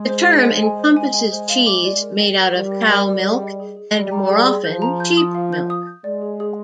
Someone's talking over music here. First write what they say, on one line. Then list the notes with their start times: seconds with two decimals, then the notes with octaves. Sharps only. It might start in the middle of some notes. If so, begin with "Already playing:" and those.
The term encompasses cheese made out of cow milk and more often, sheep milk.
Already playing: G#3
0.09 C5
0.27 G#4
0.45 C5
0.62 G#5
0.79 C5
0.97 G#5
1.14 G#5
1.32 C5
1.50 F5
1.66 D6
1.84 D5
2.02 A#4
2.20 G5
2.36 A#4
2.54 G3 A#4
2.71 A#4
2.90 A#4
3.07 A#4
3.24 G#4
3.42 D#5
3.60 G#4
3.76 G#4
3.94 G3 D#5
4.11 A#5
4.29 G#4
4.47 G#4
4.64 F3 G6
4.82 A#5
5.00 G6
5.17 D#6
5.35 F5
5.53 G6
5.70 D#6
5.87 G6
6.04 G#3 D5
6.22 G#4
6.40 G#4